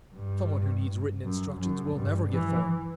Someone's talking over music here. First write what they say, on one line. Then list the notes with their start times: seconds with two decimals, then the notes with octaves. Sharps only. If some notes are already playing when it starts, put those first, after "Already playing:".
Someone who needs written instructions will never get far.
0.15 G2
1.24 F#2
1.60 F#2
1.96 G2
2.33 E3